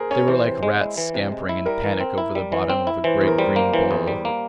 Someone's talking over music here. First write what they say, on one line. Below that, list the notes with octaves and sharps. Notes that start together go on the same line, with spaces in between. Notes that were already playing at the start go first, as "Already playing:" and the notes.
They were like rats scampering in panic over the bottom of a great green bowl.
Already playing: G#4 A#4 C5
C#4 C#5
E3 C5
C3
G#3
E4
E3
C3
G#3
E4
G3 A#4
E3
C4
E4
G3
E3
C4
E4
E3 C5
E2
A#4
G3 C5
A#3
E3 C5
E2
G3
A#3